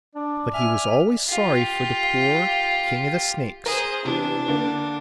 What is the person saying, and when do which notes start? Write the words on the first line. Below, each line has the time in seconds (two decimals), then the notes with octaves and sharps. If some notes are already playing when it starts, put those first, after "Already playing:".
But he was always sorry for the poor King of the Snakes.
0.15 D4 D5
0.54 E5 G#5 F6
1.30 F4 G4
3.66 G#4 A#4 C5
4.05 C3 E3 B3 D4
4.48 D3 A#3